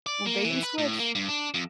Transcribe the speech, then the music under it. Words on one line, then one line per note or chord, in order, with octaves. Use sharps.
old bait and switch.
D5
A#3
E3
B4
A2
A#3
G2
D4
F2